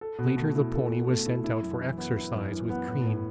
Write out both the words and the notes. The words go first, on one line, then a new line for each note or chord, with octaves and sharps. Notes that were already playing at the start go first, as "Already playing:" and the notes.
Later the pony was sent out for exercise with Crean.
A4
B2
A3
E4
A4
B2
A3
E4
E4
F#2
E3
B3
E4
F#2
E3
B3
A2
A2